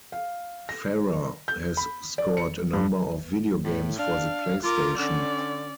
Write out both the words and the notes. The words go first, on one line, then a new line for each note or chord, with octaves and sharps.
Farrer has scored a number of videogames for the PlayStation.
F5
A#6
G6
B5
D5
C#7
G2
A2
D4 F5
F4 A#4 D6
D3 C#4 D5